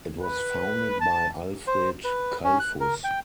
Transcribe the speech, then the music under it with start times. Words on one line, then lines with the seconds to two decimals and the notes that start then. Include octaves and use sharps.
It was founded by Alfred Kalfus.
0.21 B4
1.00 A5
1.67 C5
2.04 B4
2.44 C#4
2.60 F#6
2.80 A#4
3.04 G5